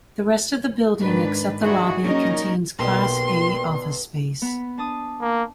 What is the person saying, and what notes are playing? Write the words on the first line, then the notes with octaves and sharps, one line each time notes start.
The rest of the building, except the lobby, contains class-A office space.
G#2 D#3 D4 B4
D#3 G3 D4 E4 F#4 G#4
F#3 G3 A#3 C#4 D#4 A#4
B1 A#3 G4 B4 D5 C6
B3 B5
D4 A5 D#6
A#3